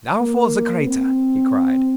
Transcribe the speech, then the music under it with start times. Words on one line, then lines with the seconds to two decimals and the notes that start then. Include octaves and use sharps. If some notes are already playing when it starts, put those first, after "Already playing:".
"Now for the crater!" he cried.
0.21 A#3
0.87 C4